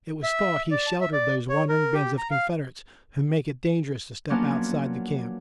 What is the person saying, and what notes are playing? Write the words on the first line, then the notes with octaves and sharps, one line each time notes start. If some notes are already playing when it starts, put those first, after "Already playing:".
It was thought he sheltered these wandering bands of Confederates who make it dangerous to step outside the camp.
E5
D5
A5
E5
D5
C#5
A#4
G4
A#5
F5
F3 F#3 A#3 B3 C#4 D4